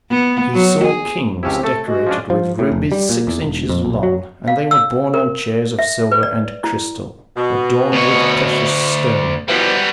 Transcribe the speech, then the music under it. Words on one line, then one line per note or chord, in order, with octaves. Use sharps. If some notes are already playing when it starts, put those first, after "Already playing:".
He saw kings decorated with rubies six inches long; and they were borne on chairs of silver and crystal, adorned with precious stones.
B3
F#3
G#4
C#2 F3 C4 C#4 E4 G4
A3 A4
G#3 F#4
F3 C#4 D4
F3
A2
F1
G3
A#2
E2
E1
F2
B1
F#3
F5
E6
A#4
E5
B4
D5
E4
B2
D2 C#5
B2 E3 F3 G3 B3